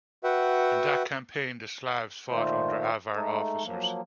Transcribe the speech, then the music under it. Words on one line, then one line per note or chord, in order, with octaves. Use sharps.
In that campaign the Slavs fought under Avar officers.
F#4 B4 E5 F#5 G5
A#2 D#3 A3 F4 C5
G#3 A3 D#4 A4
F3 F#3 A#3